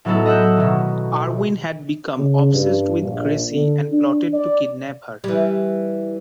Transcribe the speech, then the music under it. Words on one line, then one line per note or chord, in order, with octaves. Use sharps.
Erwin had become obsessed with Gracie and plotted to kidnap her.
A2 F#3 B3 D#4 E4 A4
D#5 E5 F#5 E6 F#6 G6
B2 D#3
C#3
G2
A#1
D3
D4
D5
E3 G3